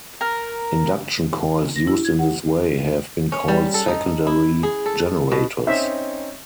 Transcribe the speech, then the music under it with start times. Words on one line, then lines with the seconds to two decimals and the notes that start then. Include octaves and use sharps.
Induction coils used in this way have been called secondary generators.
0.21 A#4
1.76 A#6
1.87 E4
2.05 G#6
2.19 F#5
3.32 C#4
3.48 G3
3.74 A4
3.88 D#4
4.27 E4
4.63 G#4
4.86 A4
5.32 B2
5.67 C4 C#4 D#4 E5